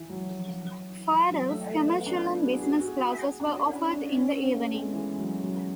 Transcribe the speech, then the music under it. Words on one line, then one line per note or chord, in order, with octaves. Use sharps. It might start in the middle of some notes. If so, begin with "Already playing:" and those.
For adults, commercial and business classes were offered in the evenings.
Already playing: E3
F#3
E3
F#3
A3
A3
B3
D4
E4
F#4
G#4
F#4
G#4
F#4
G#4
F#4
D4
C#4
D4
C#4
B3
A3
G#3
E3
F#3
F#3